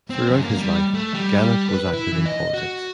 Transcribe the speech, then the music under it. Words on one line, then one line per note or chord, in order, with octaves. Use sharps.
Throughout his life, Gannett was active in politics.
C4
F#2
A#3
G3
A3
G3
B4
E4
E3
D#5
F#4